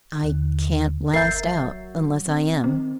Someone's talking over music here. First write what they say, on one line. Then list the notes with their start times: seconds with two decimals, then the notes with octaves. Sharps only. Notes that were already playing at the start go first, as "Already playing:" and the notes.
I can't last out unless I am.
0.22 D#2 D3
1.14 G1 A#4 E5 G6 A6 C7
1.44 F#3
2.28 C4
2.64 D#3 C4